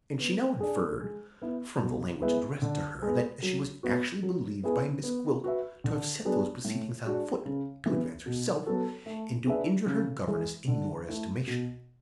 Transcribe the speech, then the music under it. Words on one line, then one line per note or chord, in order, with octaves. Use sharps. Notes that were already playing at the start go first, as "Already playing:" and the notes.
And she now inferred, from the language addressed to her, that she was actually believed by Miss Gwilt to have set those proceedings on foot, to advance herself, and to injure her governess, in your estimation.
B3
D4 G#4
G#3
B3 E4
B2
G#3 B3 E4 B4
D3
G#3 B3
F#3
B3 F#4
F#3
B3 E4 G#4 B4
B3
F#4 B4 E5
D3
F#3 B3 D4 G#4
A2
G#3 D4 F#4
C#3
E3 B3
B2
F#3 B3 F#4 A4
A3
D4 G#4 B4 E5
C#3
E3 G#3
D3
A3 E4
B2